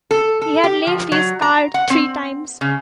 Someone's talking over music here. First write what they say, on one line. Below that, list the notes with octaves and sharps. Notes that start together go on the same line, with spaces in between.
He had left his card three times.
A4
A4
G4
F3
F#3
A#5
F#5
C4
C#3